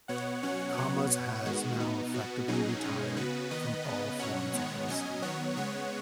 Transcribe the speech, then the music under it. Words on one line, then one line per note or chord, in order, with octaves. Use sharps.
Comas has now effectively retired from all forms of racing.
B2 B3 C#5 F#5
B2 F#3 C#4 C#5 F#5
B2 F#3 B3 C#5 F#5
B2 B3
D#3 G#3 B3 F#4
B2 B3 D#4
B2 B3 F#4
B2 F#3 C#4 D#4 G#4
B2 G#3 C#4
C#3 B3 F#4 B4
D#3 B3 B4 D#5
C#3 B3
B2 F#3 C#4 C#5 F#5
D#3 G#3 B3 C#5 F#5
B2 F#3 C#4 D#5 G#5
D#3 F#3 B3 C#5 F#5
C#3 G#3 B3 C#5 F#5